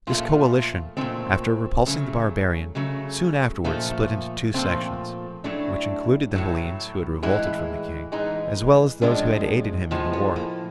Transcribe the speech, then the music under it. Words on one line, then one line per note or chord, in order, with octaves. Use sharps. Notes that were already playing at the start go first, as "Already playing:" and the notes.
This coalition, after repulsing the barbarian, soon afterwards split into two sections, which included the Hellenes who had revolted from the King, as well as those who had aided him in the war.
A#2 F3 A3 F4
A#2 F3 A3 C4
C#3 F#3 A3
C#3 F#3 A3
A#2 F3 A3
A#2 F3 A3 C4
A2 F#3 A3 D4
A2 F#3 A3
A2 E3 G#3 E4
A2 E3 G#3 D#4
A2 F3 G#3 D4
A2 F3 G#3
B3
A#3